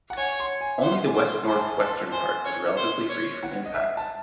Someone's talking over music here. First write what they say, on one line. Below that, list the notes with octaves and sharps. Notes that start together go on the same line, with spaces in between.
Only the west-northwestern part is relatively free from impacts.
F#5
C#5 G#5
C6
G#5
E5
C5 F#5
G#5
C5 F#5
C5 G#5
A5
G#5
A4
C6
A5
C5 G#5
C#5
C5
C#5
F#5
D#5
E5
A5